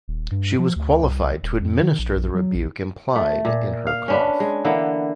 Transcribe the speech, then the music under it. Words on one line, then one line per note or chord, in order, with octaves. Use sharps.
She was qualified to administer the rebuke implied in her cough.
D#1
G2
F3
D2
C2
D#1
F2
D#3
A#1
A#1
F#3
A#1
A3
A#2
F5
C#4 D4 B4
G#3
D3 E3 A#3 B3